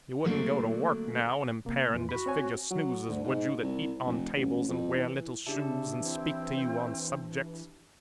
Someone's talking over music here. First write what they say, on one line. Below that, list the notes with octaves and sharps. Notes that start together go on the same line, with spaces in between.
You wouldn't go to work now, and impair and disfigure snoozers, would you, that eat on tables and wear little shoes and speak to you on subjects?
D3 F#3 A3 A#3 C4 D4
C3 A#3
F2 E3 F4
F#4 B5
C4 C#5 G#5
F#3
D2
G#2
C2
F1
A1
F2
E3
C#3 D4 E4 G4 A5
E3 C4